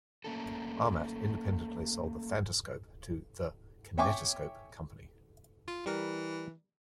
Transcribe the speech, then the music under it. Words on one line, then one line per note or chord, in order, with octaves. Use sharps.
Armat independently sold the Phantoscope to The Kinetoscope Company.
A3 A#3 C#4 A4
C#5 E5 G5 G#5 C#6 D6
F4
E3 G3 A#4